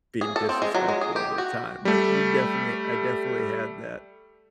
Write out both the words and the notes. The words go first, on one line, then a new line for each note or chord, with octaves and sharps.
being disrespectful of their time. But we definitely I definitely had that,
G#4
A4
C4
G#3
F#3
G#3
G#4
G4
F#4
G3 A3